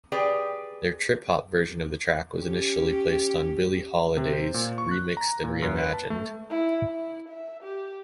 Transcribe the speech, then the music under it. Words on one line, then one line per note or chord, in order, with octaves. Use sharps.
Their trip-hop version of the track was initially placed on"Billie Holidays: Remixed and Reimagined".
G4 G#4 B4 D5 G5
C#4 G4
C3
C5
A#2
C#6
F#6
A#5
A#2
F#2
B4
A5
A3
E4
E4
E5
G4